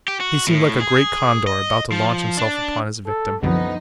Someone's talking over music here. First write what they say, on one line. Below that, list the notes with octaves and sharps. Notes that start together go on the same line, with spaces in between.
He seemed like a great condor about to launch himself upon his victim.
G4
F#4
A2
G#4
D#5
F3
D4
A4
C2 F#2 D3 F3 B3 D#4